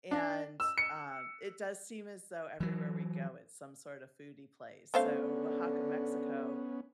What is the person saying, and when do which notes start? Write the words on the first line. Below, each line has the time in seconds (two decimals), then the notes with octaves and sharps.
and, um, it does seem as though everywhere we go, it's some sort of foodie place, so Oaxaca, Mexico
0.11 D4
0.60 E6
0.78 C#7
2.60 E3 F#3
4.94 D3 A3 B3 C#4 C5 F5